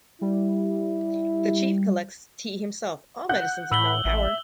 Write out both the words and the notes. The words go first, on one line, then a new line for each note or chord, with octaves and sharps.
The chief collects t himself all medicines of known power.
G3 E4
F#5 F#6 G6
A2 B5 E6 F#7 G7
A1 E5